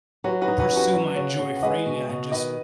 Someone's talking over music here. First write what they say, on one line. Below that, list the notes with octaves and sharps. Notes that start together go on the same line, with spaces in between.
pursue my joy freely, I just
F#3 F#4 B4
F#4 B4
D#4
F#4 B4
F#2
F#4 B4
F#3
C#3
C#3
F#5
G#3 B4 D#5
B2
B2
D#3 B4 D#5